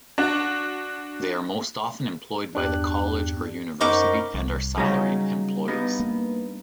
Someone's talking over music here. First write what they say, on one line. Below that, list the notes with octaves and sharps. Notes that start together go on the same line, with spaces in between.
They are most often employed by the college or university and are salaried employees.
D4 F#4
E2 G2 D4 G4 F#6
F#2 D#4 A#4 C5 F#5 B5 C#6 D6
C2
C#3 F#3 G3 D#4 G#4 C#5
G2 B3 D#4
A#3